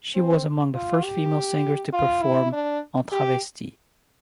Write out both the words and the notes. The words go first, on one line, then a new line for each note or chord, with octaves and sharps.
She was among the first female singers to perform "en travesti".
C4
F4
G4
F4
E4
D4
G4